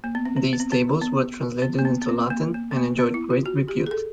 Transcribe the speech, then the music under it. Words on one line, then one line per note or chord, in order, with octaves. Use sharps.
These tables were translated into Latin and enjoyed great repute.
A#3
B3
C4
C4
B3
C4
B3
B3
B3
A#3
B3
B3
C4
A#3
A#3
B3
A#3
B3
E4
F4
F#4
G4
G#4
A4